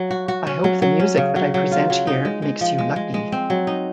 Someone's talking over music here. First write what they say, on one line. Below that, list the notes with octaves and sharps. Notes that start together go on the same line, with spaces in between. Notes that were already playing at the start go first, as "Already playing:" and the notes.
I hope the music that I present here makes you lucky.
Already playing: F#3
F#4
F#4
C#4
F#3
F#3
C#4
C#3
F#3
F#3
F4
F#3
D#4
G#3
G#3
F3
G#3
G#3
G#3
C4
F#3
D#4